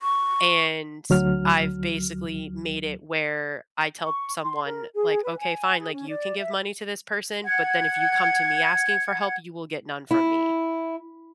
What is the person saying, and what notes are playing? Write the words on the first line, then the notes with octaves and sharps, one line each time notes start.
and I've basically made it where I tell someone, like, "Okay, fine," like, "You can give money to this person, but then if you come to me asking for help, you will get none from me."
C#6
D2 F#3 F6
C#6
C6
A#4
G#4
B4
G#5
G#4
C#4
D5
E5
F#5 G#6
E4